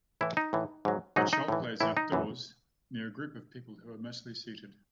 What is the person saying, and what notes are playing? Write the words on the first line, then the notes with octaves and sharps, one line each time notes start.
A child plays outdoors, near a group of people who are mostly seated.
A2 E3 E4
D#4
A2 E3
G#2 F#3
G#2 F#3 D#4
D#4
A2 E3
A2 E3 E4
D#4
F#2 E3